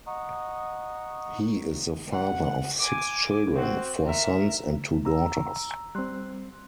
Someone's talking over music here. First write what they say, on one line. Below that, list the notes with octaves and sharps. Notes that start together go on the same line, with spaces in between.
He is the father of six children; four sons and two daughters.
D#5 F#5 A#5 C#6 D#6
F#5
G#5 D6
C4 F#4
A#4 E5
A#5 E6
G3 C4 C6 F#6